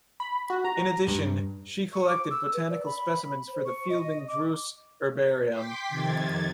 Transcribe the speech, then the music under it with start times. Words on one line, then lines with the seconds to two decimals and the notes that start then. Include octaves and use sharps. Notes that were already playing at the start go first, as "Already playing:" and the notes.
In addition, she collected botanical specimens for the Fielding-Druce Herbarium.
0.20 B5
0.50 F#4
0.65 A#5
1.08 G2
1.93 C#6
2.06 D6
2.30 E6
2.53 B4
2.70 D5
2.86 B5
3.48 C5
3.65 C#6
3.90 D#5
4.28 D6
5.48 G5 C6 D6 B6
5.87 F2 C3 D#3 G#6 A6